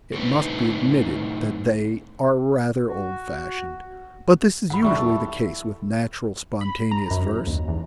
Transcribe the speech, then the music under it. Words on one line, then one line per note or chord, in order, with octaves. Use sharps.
It must be admitted that they are rather old-fashioned, but this is usually the case with natural spontaneous verse.
A2 D3 F#3 C4 D#4 B4
F#4
G#2 F#5 B5
E2 G3 D4 E5 C#6
E4 A4
B5
A#5
F#2
D#2
E2